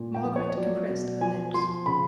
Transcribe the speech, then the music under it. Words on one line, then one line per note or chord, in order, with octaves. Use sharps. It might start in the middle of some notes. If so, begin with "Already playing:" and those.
Margaret compressed her lips.
Already playing: A#2
G5
F3
C#5
C#5
F#3 D5
B2
F3 G#5
F3 C6
C#3 B5